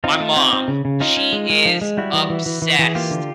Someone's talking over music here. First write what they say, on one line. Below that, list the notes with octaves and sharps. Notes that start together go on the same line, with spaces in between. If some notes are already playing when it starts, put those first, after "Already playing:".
my mom, she is obsessed
C4 D#4 F4
A3
C4
C4
C#3
C#3
C#4 D#4 F4
C#4
G#3
G#3
F3
G#3
G3 E4 F#4
E3
E3
E3
E3
E3
G#4
A#3 F4 G4
D3